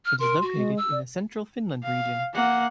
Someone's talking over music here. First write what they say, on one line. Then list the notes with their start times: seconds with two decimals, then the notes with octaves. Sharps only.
It is located in the Central Finland region.
0.05 F6
0.20 A#4 C6
0.42 F#4
0.55 G#3
0.77 E6
0.92 D5
1.84 F5
2.34 A#3 F#5